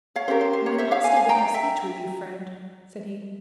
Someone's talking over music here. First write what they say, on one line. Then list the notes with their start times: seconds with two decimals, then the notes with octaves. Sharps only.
"My master would have speech with you, friend," said he.
0.16 C#5 F5
0.28 C#4 G4 A#4 C5
0.41 C5
0.53 C5
0.66 C#5
0.78 C5 E5
0.91 C#5 F5
1.04 F5 G#5
1.16 F5 G#5
1.29 G5 A#5
1.54 E5 G5